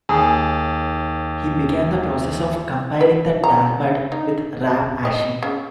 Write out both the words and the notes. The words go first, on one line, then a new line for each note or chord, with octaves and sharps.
He began the process of compiling the Talmud with Rav Ashi.
D#2 G#4
B4
A#5
D#4
D#5
C#3